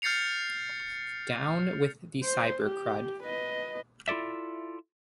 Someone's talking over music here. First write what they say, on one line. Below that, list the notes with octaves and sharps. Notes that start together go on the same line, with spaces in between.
Down with the cybercrud.
F6 G6 A6 C7 C#7 F7
C5
G4
B4 D#5
E4 F4 A4 D5 E5